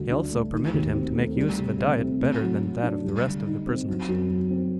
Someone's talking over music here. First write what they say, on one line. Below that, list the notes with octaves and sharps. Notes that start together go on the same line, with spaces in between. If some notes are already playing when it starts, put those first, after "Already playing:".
He also permitted him to make use of a diet better than that of the rest of the prisoners.
Already playing: D2 D3 G3
D4
A3
D#3
D#2
C4
A3
G3
C3
C3
C4
A3
F#3
F#3
D4
G3
D3
D#4
C4
F#3
F#2
F#2
C4